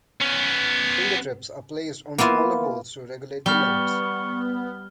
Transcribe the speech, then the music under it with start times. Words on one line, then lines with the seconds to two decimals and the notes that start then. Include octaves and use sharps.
Finger tips are placed on smaller holes to regulate the notes.
0.21 B3 C#4
2.18 A#3 B3 E4 F4
3.46 G3 B3 C#6 F6 G7